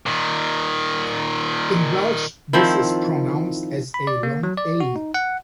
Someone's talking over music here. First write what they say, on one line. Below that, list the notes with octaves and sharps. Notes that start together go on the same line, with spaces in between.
In Welsh this is pronounced as a long A.
A#2 D#3
D#3 F3 C4 E4
B5
D5
A#3
F#3
D5
F#4
D#4
F#5